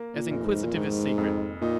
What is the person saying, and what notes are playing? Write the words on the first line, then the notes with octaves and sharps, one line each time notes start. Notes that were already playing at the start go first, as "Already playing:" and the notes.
As inquisitive as secret.'
Already playing: A#3
A#2
F1
G#2
A#2
G#2 D#3
F2
A#2 D#4